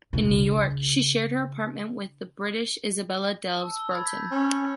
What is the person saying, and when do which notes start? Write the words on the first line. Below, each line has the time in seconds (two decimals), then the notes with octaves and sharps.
In New York, she shared her apartment with the British Isabella Delves Broughton.
0.13 C#3 D4
3.54 A5 E6
3.76 E6 G7
3.91 B5 G#6 A6
4.06 G6 B6
4.31 C#4